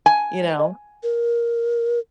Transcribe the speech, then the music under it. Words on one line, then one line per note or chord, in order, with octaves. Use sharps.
you know?
G#5
A#4